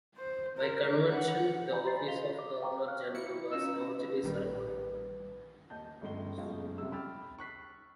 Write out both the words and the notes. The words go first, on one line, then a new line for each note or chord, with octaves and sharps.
By convention, the Office of Governor-General was largely ceremonial.
C5
A#4
F#5
G4 D5 G#5 A#5 B5 G6
A#5 C6 A6 C7
F4 D#5 F5 B6 F7 G7
D6
F5 G5 A#5 C#6 D6
C#5 F5 F6 F#6
E4 C#7
C#4 D#4 F4 E6
B4
A#1 D#3 G3
D#2 D#5 A5 G6
G1 C#2 A3 D#5 C6 G7
F#1 B1 G#3 F4 A4
F#2 C3 G3 E6
G5 B5 D6 E6 F6 A6
C#6 F#6 B6 C7